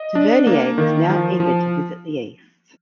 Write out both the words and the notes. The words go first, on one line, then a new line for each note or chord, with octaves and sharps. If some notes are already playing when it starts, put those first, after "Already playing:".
Tavernier was now eager to visit the East.
Already playing: D#5
D4
A#3
D#3
F3
F3